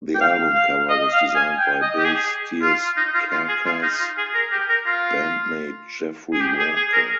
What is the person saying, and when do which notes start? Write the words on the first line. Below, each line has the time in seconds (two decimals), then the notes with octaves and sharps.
The album cover was designed by Bill Steer's Carcass bandmate Jeffrey Walker.
0.15 G5
0.21 F5
0.55 F5
0.89 D#5
1.13 F5
1.36 G#5
1.59 G5
1.82 D#5
1.98 G4
2.05 G#4
2.62 F4
2.97 D#4
3.14 F4
3.31 F4
3.48 G#4
3.66 F4
3.83 D#4
4.00 F4
4.18 G#4
4.34 A#4
4.52 G4
4.69 A#4
4.86 F4
6.33 G#4
6.41 G4
6.59 G#4
6.76 G#4
6.93 A#4